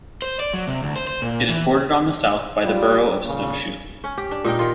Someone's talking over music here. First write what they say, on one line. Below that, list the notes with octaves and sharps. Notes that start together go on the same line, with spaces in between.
It is bordered on the south by the borough of Snow Shoe.
C5
D5
F#3
C3
D2
C5
C5
A#2
E3
G3 F4
A#2 C#3
C#4
G4
D4
A#2 D#4 A#4 G5
D#3 F4